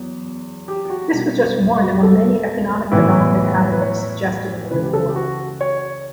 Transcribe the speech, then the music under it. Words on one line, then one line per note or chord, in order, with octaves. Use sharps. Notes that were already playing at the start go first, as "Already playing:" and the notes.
This was just one among many economic development avenues suggested in the report.
Already playing: E2 F#3
G4
G4
F#4
B2 G3 D4 G4
F#4
G4
A4
A2 E3 B3 E4 B4
B4
C#5
C#2 C#3 E3 B4
G4
A4
G4
F#4
C#5